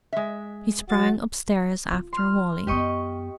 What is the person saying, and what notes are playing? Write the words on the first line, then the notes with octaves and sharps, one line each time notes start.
He sprang upstairs after Wally.
G#3 E5
F#3 F#4 A6
F4
C6 F6
F#2 B3 G4 D#5 C#6